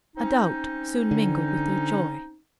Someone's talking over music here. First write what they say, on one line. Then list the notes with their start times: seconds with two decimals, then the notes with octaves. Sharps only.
A doubt soon mingled with their joy.
0.16 C4 C#4 D#4
1.11 D3